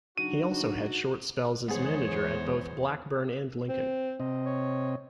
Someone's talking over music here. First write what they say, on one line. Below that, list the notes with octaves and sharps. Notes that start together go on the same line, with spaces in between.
He also had short spells as manager at both Blackburn and Lincoln.
C#3 F#3 D4 D#4 F#4 D#7
E2 G#3 B3 G#4 C5 C#5
C4
C3 C4 D#5
C#5